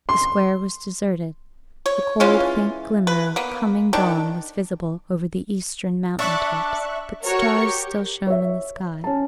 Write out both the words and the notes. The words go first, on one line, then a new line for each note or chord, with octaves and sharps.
The square was deserted, the cold faint glimmer of coming dawn was visible over the eastern mountain-tops, but stars still shone in the sky.
C6
C#5
E3 G#3 C#4 F4
B4
A#3 B3
D#3 D4
D4 E5 C#6 F#6
F#4 A#4 C#5 C#6
G4
C#5 E5
C#4 A5